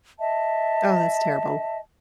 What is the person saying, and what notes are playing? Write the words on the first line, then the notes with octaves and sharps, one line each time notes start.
Oh, that's terrible.
D#5 E5 A5